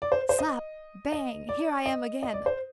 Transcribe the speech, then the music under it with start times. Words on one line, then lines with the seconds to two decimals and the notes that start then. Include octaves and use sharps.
'Slap! bang! here I am again!
0.02 D5
0.12 C5
0.29 C5
0.39 D#5
1.12 D#5
1.49 D5
1.86 D#5
2.23 D#5
2.34 D5
2.46 C5